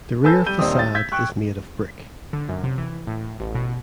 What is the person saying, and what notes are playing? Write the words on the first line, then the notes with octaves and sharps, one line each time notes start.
The rear facade is made of brick.
A4 B4 G#5 A5 E6 G6
G3 G6 D#7 G7
D#1 D#3 C4 D5 D#6
A6
E6 G6 G#6 B6
G5 C#6 F#6
D3
F#2
C3
E3
A2
A1
B2